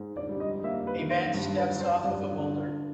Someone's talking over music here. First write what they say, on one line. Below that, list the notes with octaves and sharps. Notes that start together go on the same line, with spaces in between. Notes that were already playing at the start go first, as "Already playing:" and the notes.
A man steps off of a boulder.
Already playing: G#2
D5
G3
D#5
A#3 E5
B4
D#3
C5
G2
B4
F#3
C5
G2 D5
D3